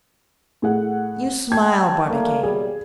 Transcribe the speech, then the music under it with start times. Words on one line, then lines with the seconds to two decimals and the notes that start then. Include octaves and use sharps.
You smile, Barbicane.
0.62 A2 G#4 F#5
1.52 G5 A5 G#6
2.08 G3 A3 A#3
2.43 B1 G3 G#4